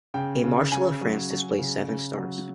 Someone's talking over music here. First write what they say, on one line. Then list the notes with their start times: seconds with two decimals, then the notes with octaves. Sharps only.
A Marshal of France displays seven stars.
0.14 C#3 G5
0.44 C#3
0.72 C#3 G#5
1.01 F#3
1.30 F#3
1.59 C#3
1.89 C#3
2.17 F#3